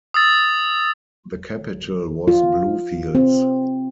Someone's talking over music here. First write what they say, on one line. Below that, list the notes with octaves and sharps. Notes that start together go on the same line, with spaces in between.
The capital was Bluefields.
D#6 E6 A6
F4
C4